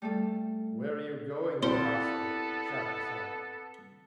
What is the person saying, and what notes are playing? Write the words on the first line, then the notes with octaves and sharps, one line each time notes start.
"Where are you going, you rascal?" shouted the sergeant.
G3 A3 A4
B3 C4 E4 G4 A4 C5 D5